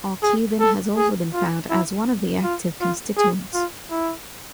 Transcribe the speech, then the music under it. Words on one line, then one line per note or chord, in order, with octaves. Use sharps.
Aucubin has also been found as one the active constituents.
G#4
A4
G#4
F4
E4
F4
F4
G#4
F4
E4